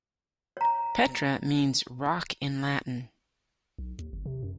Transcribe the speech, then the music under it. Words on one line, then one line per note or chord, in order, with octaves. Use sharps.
"Petra" means "rock" in Latin.
C#5 A#5
B1
D#2
G1
C3
F#2